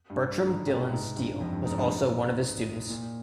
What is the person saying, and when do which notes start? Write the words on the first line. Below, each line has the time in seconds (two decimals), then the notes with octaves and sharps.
Bertram Dillon Steele was also one of his students.
0.10 G2
0.26 G2
0.43 G#2
0.67 C3
0.92 G#2
1.17 G2
1.40 F2
1.53 G2
1.66 G#2
1.78 G2
1.90 G#2
2.89 A#2